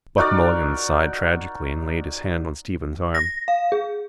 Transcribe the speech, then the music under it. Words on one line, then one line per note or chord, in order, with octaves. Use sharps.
Buck Mulligan sighed tragically and laid his hand on Stephen's arm.
D#4 F#4 A#4 D5
A#6
F5
G#4